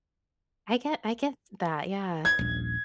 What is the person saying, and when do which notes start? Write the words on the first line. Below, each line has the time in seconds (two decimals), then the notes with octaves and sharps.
I get I get that. Yeah.
2.25 G#6
2.39 D#1 A#1